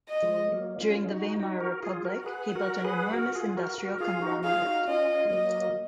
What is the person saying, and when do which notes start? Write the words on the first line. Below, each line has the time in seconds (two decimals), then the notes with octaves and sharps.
During the Weimar Republic, he built an enormous industrial conglomerate.
0.09 D#5
0.22 F3 G#3
0.52 F#3 A#3
0.81 C#4 F4
1.04 G#4
1.11 D#4 F#4
1.40 D#4 F#4
1.60 F#4 A#4
1.83 F4 G#4
2.05 F#4 A#4
2.26 G#4 B4 F#5
2.55 F#4 A#4
2.85 G#4 B4
3.13 F#4 A#4
3.35 F4 G#4
3.57 F#4 A#4
3.78 F#4 A#4
4.00 F4 G#4 F5
4.22 D#4 F#4
4.44 F4 G#4 F5
4.66 D#4 F#4
4.88 C#4 F4 D#5
5.25 G#3
5.30 F#3 A#3 D#5